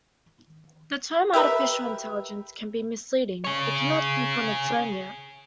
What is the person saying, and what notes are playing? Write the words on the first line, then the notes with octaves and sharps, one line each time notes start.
The term Artificial Intelligence can be misleading, it cannot think on its own yet.
G4 A#4 B4 E5
G#4 C#5